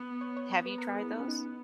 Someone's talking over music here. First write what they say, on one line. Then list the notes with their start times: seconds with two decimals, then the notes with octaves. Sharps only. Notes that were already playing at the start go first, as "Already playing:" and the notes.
Have you tried those?
Already playing: B3
0.21 C#5
0.37 C#5
0.52 C#5
0.66 B3 B4
0.78 A#4
0.89 G#4
1.00 E4
1.11 D#4
1.20 C#4
1.28 D#4